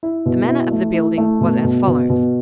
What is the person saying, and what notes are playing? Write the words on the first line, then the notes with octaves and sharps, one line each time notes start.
The manner of the building was as follows.
E4
B2
E4
A3
E4
A3
B2
B2
B2
B2